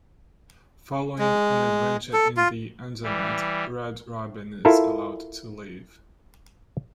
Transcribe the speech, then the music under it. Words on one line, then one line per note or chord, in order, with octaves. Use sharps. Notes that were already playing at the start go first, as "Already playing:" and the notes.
Following an adventure in the Undernet, Red Robin is allowed to leave.
G#3
A4
F4
E3 G3
E4 F4 A4 A#4